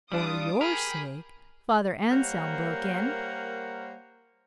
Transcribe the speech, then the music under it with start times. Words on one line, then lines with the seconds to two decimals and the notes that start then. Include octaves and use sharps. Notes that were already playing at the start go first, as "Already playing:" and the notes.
"For your sake?" Father Anselm broke in.
0.12 G3 D4 F4 D6 D#6
0.61 G4 G#4 A#4 B5
2.11 G3 A#3 A#4 C5 C#5 F#5